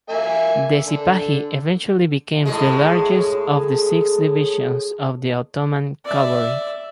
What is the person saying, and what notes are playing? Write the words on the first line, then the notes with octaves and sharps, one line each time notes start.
The Sipahi eventually became the largest of the six divisions of the Ottoman cavalry.
A#3 E5 G#5
D3
A2 G#3
D5 E5